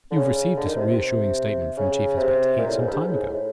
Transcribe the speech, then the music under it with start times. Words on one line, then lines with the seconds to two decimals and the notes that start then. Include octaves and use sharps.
You have received a reassuring statement from Chief Inspector Heat some time ago.
0.11 D3
0.16 C#3
0.57 D3
0.66 D#3
0.76 C3
0.87 C3
1.77 C#3
2.17 C3
2.58 A#2
2.67 A2
2.78 G#2
2.87 G2
2.98 G#2
3.08 A2
3.17 G#2
3.27 A2